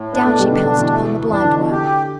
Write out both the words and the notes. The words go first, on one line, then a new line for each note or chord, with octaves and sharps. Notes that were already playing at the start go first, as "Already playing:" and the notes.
Down she pounced upon the Blindworm.
Already playing: A2
B3 D4
A3
B2
G3
D3 D4
D3
B2
E3
A3
D2
E3 D4
D3
B2
D3 G4